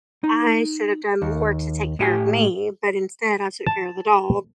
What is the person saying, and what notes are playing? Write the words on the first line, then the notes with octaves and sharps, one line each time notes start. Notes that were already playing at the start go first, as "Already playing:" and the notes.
I should have done more to take care of me, but instead I took care of the dog,
D#4
D#2
A2 G4 G#5
A5